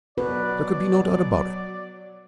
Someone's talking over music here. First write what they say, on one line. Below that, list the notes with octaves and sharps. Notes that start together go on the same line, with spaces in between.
There could be no doubt about it.
B2 F#3 B4 D5